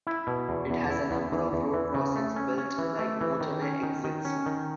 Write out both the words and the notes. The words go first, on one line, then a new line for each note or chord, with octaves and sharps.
It has a number of road crossings built like motorway exits.
E4
B2
E2
E2
E4
E2
E2
E2
E3
C#3
A3
C#4
C#4
E3
A3
E3
D#3
C#4
D#3
D#3
C#4
D#3